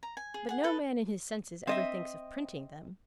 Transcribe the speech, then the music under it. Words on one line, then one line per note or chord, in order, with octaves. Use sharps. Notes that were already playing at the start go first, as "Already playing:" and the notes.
But no man in his senses ever thinks of printing them.
A#5
G#5
G#4
G#4 F#5
A4 B4
C4 D#5 E5